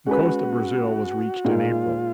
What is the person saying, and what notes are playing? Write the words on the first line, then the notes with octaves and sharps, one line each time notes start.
The coast of Brazil was reached in April.
G#3 C#4 F#4 G#4 B4
A#2 G#3 D#4 F4 A#4